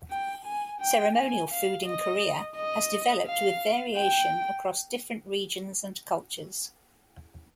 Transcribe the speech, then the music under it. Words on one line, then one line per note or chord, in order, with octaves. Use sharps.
Ceremonial food in Korea has developed with variation across different regions and cultures.
G5
G#5
G5
G#5
F5
D#5
D#5
F5
G5